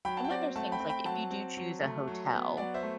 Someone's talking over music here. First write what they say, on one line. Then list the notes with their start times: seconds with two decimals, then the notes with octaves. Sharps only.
and then there's things like if you do choose a hotel,
0.05 F#3 G5 B5
0.17 F#5 A5
0.24 G5
0.30 C4 D5 F#5
0.56 A3 F#5 A5
0.72 G5 B5
0.80 C4
0.89 G5 B5
1.05 F#3 F#5 A5
1.31 C4
1.57 F#3
1.81 A3
2.08 F#3
2.33 B3
2.57 F#3 D5 F#5
2.74 C5 E5
2.83 A3